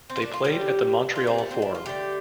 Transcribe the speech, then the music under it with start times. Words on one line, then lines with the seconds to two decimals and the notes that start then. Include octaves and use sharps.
They played at the Montreal Forum.
0.10 C4
0.17 F4
0.22 D4
0.33 F4
0.44 D3 G4
0.49 G3
1.16 F4
1.27 C4
1.38 A3
1.51 C4
1.62 D4
1.75 F4
1.86 D3 A3 G4